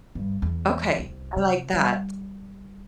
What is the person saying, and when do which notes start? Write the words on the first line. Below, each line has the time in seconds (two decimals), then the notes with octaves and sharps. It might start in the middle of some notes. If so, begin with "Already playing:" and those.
Okay, I like that.
0.15 G2
0.42 E2
0.98 C2
1.36 C3
1.73 G3